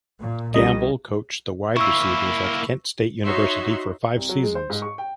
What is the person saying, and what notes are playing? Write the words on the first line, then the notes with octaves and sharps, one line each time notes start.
Gamble coached the wide receivers at Kent State University for five seasons.
A#2
C2 F3 G3 C#4 D#5
A#3 E4 C#6 E6
D#4 F#4 C#5 E5 C6
C2
F#3
G#3
C5
G#2
C#6
G5